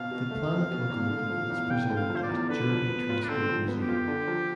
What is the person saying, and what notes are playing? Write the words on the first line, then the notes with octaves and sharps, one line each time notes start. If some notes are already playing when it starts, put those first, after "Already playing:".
The "Planet" locomotive is preserved at Jurby Transport Museum.
Already playing: B2 C4 F5
B2
A3
C4
B2
E2
D3
F3
E2
E2 G5
D3
F5
F3
C5
D5
E2
D3 B4
F3
B3
F4
D4
D3 C4
F3
B3
G4
F4
D3
F3